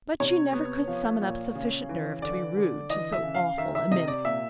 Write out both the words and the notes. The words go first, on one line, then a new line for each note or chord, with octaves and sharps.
But she never could summon up sufficient nerve to be rude to so awful a mimic. . . .
C3 C#5
B3
F3
A#2
C#3
E3
D3 D5
D3
E3 D#5
E5
C#3
F5
D#3 E5
E5
C3 D#5
D5
A#2 E5